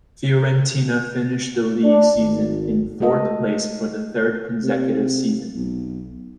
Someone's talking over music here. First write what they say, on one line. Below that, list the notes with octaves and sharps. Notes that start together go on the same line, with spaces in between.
Fiorentina finished the league season in fourth place for the third consecutive season.
D4
G#1
G#3 A3 A4 D#5
C3
B1